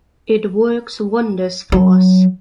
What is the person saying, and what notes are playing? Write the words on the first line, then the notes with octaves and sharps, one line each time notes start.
It works wonders for us.
F#3